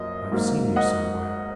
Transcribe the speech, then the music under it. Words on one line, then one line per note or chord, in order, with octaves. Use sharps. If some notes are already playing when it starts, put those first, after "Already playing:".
"I have seen you somewhere."
Already playing: F#2 F3 A#3 D#5
G#2 F#3 A#3
D#5 F#5